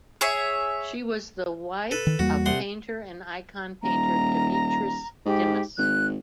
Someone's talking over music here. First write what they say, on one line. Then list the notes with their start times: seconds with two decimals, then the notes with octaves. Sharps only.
She was the wife of painter and icon painter Dimitris Dimas.
0.21 G#4 C#5 E5
1.91 A4 B4
2.07 D#3
2.19 E2 G3 A#3 F#4
2.46 C2 F#5 C6
3.83 D#1 A#5
5.26 G#2 G4
5.78 G#1 F#6